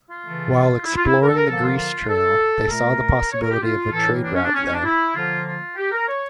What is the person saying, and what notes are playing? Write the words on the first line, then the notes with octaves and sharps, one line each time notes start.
While exploring the Grease Trail, they saw the possibility of a trade route there.
F4
C#3 E3 A3
E4
F4
E4
A#4
A4
A#4
D3 F3 A#3 A4
F4
F4
A4
A#2 A3 A#4
C#5
A#4
G4
F4
A2 E3 A#3 A4
D4
C#4
D4
C#4
C#4
D4
E4
D3 F3 A#3 F4
F4
G4
A#4
C#5